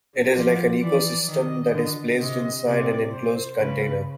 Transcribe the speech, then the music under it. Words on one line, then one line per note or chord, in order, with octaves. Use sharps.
It is like an ecosystem that is placed inside an enclosed container.
F3 D5
E3 D5
D#3 D#5
D3
C3 D#5
C3 D5
C5
C#3 B4